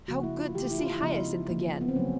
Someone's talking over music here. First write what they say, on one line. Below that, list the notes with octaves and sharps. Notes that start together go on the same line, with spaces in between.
How good to see Hyacinth again!
C#3 F3 A#3 F#4
E4
F4
C#3 E3 A3 G4
E4
F4
E4
C#3 F3 G#3 B3 D#4
D3 F3 A#3
B3
C4
C#3 F#3 A#3 C#4